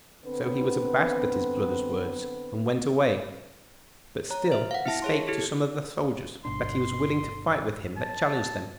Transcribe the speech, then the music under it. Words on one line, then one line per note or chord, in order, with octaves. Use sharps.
So he was abashed at his brother's words, and went away, but still he spake to some of the soldiers that he was willing to fight with him that challenged them.
D3 B3 C4 B4
C#5 A#5
C5 E5
F5 F#5
E4 E5 A5 A#6
G#4 C#5 C6
E4 G4 A4
G1 B2 D4 C6
A5